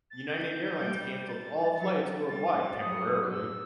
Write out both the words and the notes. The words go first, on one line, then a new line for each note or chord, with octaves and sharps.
United Airlines cancelled all flights worldwide temporarily.
A6
G6
G3
A6
F#3
G3 A6
F#3 D#6
E6